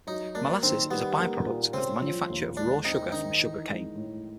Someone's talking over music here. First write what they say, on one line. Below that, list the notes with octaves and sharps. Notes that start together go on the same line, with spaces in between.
Molasses is a by-product of the manufacture of raw sugar from sugar cane.
F#3 D#4
A#3 D4
D#3 C4
G3 B3
A#3
A#2
C#3 C4
F3
D#2
G#3 D4
C4 D#4
D#3 D#4
E3
G#3
A2